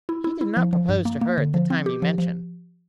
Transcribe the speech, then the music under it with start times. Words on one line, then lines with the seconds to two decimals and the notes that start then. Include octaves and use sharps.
He did not propose to her at the time you mention.
0.09 E4
0.24 E4
0.41 E4
0.57 F3
0.73 F3
0.89 G2
1.05 A#3
1.21 A#3
1.38 D3
1.54 F3
1.70 C4
1.86 G4
2.02 F3
2.18 F3